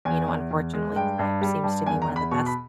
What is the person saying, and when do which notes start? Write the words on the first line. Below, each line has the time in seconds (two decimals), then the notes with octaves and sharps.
you know, unfortunately, time seems to be one of the best
0.05 E2 G#5
0.28 E2
0.51 E2
0.74 G#3
0.96 G2 G5
1.19 G2
1.41 G3
1.64 G2
1.86 E2 G#5
2.02 A#5
2.09 E2
2.16 B5
2.31 B2 C#6
2.46 B5